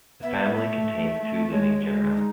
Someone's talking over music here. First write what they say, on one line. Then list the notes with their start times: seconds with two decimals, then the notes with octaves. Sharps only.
The family contains two living genera.
0.23 B3 E5
0.55 A3 E5
1.20 A3
1.52 G#3 C#5
1.85 G#3
2.17 D#4